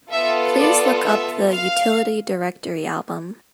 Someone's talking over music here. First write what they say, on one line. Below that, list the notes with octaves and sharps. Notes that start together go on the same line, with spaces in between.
Please look up the Utility Directory album.
B3 F4 A4 E5
D5
E5
F5